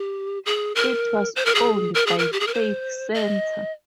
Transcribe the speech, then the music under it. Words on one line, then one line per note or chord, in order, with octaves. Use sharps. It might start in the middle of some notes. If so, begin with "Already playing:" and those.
It was owned by Faith Center.
Already playing: G4
G#4
A#4
C5
A#4
G#4
A#4
G#4
A#4
G4
G#4
A#4
C5
D#5